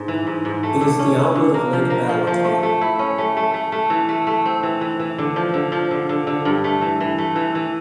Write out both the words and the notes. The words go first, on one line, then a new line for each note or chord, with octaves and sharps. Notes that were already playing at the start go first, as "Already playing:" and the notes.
It is the outlet of Lake Balaton.
Already playing: G#2
E3
G#2
G#2
A3
D3
C#4
C#4
D3
A#3
F3
A#3
F3
F3
A3
A3
E4
C#4
A3
A3
A3
A3
E3
A3
A3
C4
E3
E3
E3
D3
F3
D3
F3
D3
D3
D3
G2
A3
E3
E3
A3
E3
E3